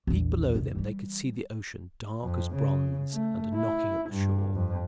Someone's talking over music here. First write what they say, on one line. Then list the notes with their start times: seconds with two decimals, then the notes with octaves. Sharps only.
Deep below them they could see the ocean, dark as bronze and knocking at the shore.
0.07 A#1 E2
0.55 D#2 C3
0.75 E3 G3
2.24 F2
2.56 C#3
3.12 A3
3.54 E4
4.10 G2
4.55 F2